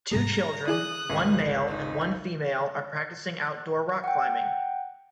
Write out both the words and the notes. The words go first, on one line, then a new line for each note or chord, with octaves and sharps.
Two children, one male and one female are practicing outdoor rock climbing.
G#2 C3 G3 A#5
E4 G#4 D5 D#6 F#6
G#1 C#2
D#4
F#5 G5